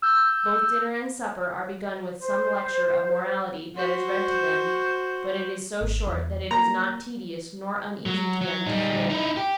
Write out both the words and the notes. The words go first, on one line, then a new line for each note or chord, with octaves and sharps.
Both dinner and supper are begun with some lecture of morality that is read to them; but it is so short that it is not tedious nor uneasy to them to hear it.
E6 G6
C5
F#4 C5
G#1
E2
A#3 A#5
F#3
F#3
G3 D#4
D#4 E4
G4